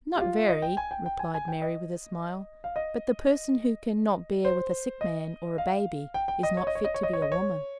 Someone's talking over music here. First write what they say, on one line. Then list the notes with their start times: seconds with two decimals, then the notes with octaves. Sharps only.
"Not very," replied Mary, with a smile; "but the person who can not bear with a sick man or a baby is not fit to be a woman."
0.16 G4
0.21 F4
0.49 D#5
0.62 G5
0.77 G#5
0.91 G5
1.06 G5
1.19 G#5
1.34 G#5
1.48 G5
1.62 D#5
2.64 F5
2.76 D#5
4.45 C5
5.01 D#5
5.58 F5
6.14 G5
6.28 G5
6.43 D#5
6.57 C#5
6.67 D#5
6.75 C#5
6.84 D#5
6.94 C#5
7.03 D#5
7.13 C#5
7.22 D#5
7.32 C#5